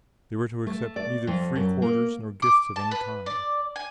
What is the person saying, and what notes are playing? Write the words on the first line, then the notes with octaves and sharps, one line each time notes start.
They were to accept neither free quarters nor gifts of any kind.
A3
D5
F2
F#2
A#3
D6
A5
B4
D5
G#5